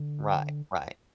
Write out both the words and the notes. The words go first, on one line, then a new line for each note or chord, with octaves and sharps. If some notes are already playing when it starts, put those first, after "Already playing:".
Right, right.
Already playing: D3